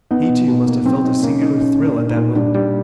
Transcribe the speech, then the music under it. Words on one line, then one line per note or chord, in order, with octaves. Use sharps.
He, too, must have felt a singular thrill at that moment.
B3 D#4
B2
B2
A#3
F#3 C4
D#4
A#3 C#4
D#4
A#2 C#4
A#3
D4
A#2
D#4
A#2
G3 D4
G3